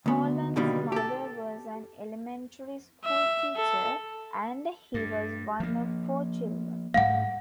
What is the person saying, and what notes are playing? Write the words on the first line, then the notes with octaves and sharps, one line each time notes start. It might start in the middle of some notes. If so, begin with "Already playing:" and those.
Holland's mother was an elementary school teacher, and he was one of four children.
D2 B3
B2 D3 D#3 G3 A#3
G4 A4
E5
A4
G2
F3 A#3
G#2 G3 A3 F5 F#5